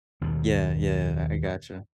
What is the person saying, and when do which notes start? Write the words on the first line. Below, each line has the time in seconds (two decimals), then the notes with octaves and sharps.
Yeah, yeah, I I gotcha.
0.21 D#2 B2 D#3